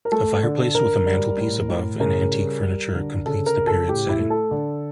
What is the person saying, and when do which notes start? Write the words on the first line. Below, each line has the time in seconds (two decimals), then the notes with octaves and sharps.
A fireplace with a mantelpiece above and antique furniture completes the period setting.
0.05 A#4
0.12 A3 A4
0.43 D3
0.75 D3 A#4
1.06 G3
1.37 A2
1.69 A2
2.00 C#3 A#4
2.31 G3
2.63 G3
2.94 D3
3.26 C#3 A4
3.46 A#4
3.57 C#3
3.67 A4
3.88 A2 G4
4.09 E4
4.20 A3
4.30 A4
4.51 D3